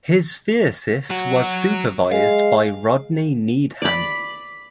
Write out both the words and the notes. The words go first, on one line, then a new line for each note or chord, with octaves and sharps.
His thesis was supervised by Rodney Needham.
F#3 F#4
G#3 F5
D5 B5